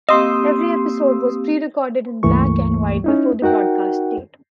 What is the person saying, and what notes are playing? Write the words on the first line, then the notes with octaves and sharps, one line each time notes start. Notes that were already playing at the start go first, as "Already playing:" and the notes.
Every episode was pre-recorded in black and white before the broadcast date.
A#3 C4 G4 D#5 F5 C6 D#6 E6
C#2 G2 E3 A3 A#3 C#6
C#4 D#4 E4
D#4 F#4 A#4 F#5 G5